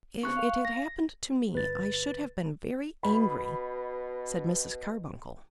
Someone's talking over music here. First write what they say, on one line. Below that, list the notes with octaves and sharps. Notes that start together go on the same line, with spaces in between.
"If it had happened to me, I should have been very angry," said Mrs. Carbuncle.
C#3 B3 C4 C#6 F#6
F5
A#6
G1 B4 A6
B2 B5